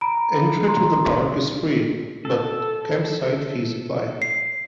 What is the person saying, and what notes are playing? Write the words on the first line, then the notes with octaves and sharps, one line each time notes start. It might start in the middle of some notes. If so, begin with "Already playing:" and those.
Entry to the park is free but camp-site fees apply.
A#5 B5 D7
A#5 C6
A4
C7